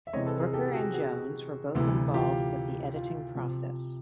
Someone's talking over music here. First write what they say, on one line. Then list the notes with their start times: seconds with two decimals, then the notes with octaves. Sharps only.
Brooker and Jones were both involved with the editing process.
0.07 E5
0.13 C3 E3 G#3 C4 C#5 D#5
0.26 A4 B4
0.40 G#4 A#4
0.53 G4 A4
0.68 G4
0.73 F#4 G#4
0.93 F#4 G#4
1.75 D2 C3 E3
2.14 F4 G4
2.96 F4
3.35 C3 F3